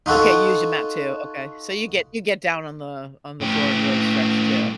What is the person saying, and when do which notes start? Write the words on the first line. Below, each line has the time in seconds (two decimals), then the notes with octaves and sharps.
Okay, you use your mat too, okay. So you get you get down on the on the floor and really stretch too.
0.06 D#4 F4 F#4 A4
3.41 A2 G4